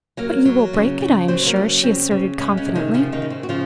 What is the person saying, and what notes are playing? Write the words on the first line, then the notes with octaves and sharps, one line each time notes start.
"But you will break it, I am sure," she asserted confidently.
F#3 A#3 A#4
F#3
C#3
C#3
F#3 C4 C5
A#3 A#4
C#3
C#3 C4
C#3
C#3 G#3 C#4
C#3 C#4
C3
D#3 D#4
C#3 F3 F4
D#3 D#4
C#3
C4
F#4
C#3 F3 F4